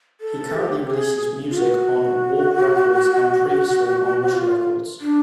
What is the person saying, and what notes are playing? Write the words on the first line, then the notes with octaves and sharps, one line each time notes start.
He currently releases music on Warp Records, and previously on Mush Records.
A4
G4
G#4
F4
F#4
F4
D4